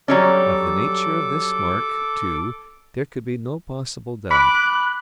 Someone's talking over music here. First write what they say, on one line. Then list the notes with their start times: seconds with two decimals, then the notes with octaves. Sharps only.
Of the nature of this mark, too, there could be no possible doubt.
0.08 F#3 G3 C#4 A4 D6
4.31 B5 D6 F#6